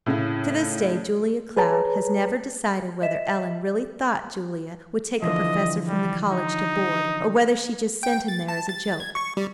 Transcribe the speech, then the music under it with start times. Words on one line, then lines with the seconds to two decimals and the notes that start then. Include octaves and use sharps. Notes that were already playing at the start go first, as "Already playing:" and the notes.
To this day Julia Cloud has never decided whether Ellen really thought Julia would take a professor from the college to board, or whether she just sent him there as a joke.
0.06 A2 C#3 E4
1.57 G#4 B4 C#5 A5 A#5
3.02 D#5 E5 B6 E7
5.22 D3 E3 F3 D#5
5.88 G3
6.31 D#4
8.03 G5
8.28 A6
8.48 A5
8.69 A6
9.00 G#6
9.15 C#6
9.37 G3